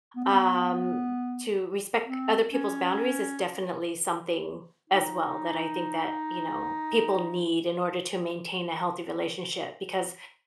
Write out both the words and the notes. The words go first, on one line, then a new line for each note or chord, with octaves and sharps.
um, to respect other people's boundaries is definitely something, as well, that I think that, you know, people need in order to maintain a healthy relationship, because,
B3
C4
B3
C4
C#4
D#4